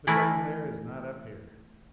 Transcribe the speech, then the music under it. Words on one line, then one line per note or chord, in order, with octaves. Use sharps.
But down there is not up here.
E3 A3 E4 A#4 B4